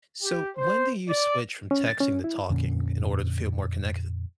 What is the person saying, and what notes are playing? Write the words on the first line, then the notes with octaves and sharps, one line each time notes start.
So, when do you switch from texting to talking in order to feel more connected?
G4
C5
D5
C#4
A6
C#4
E4
F2 A#2 D3 C#4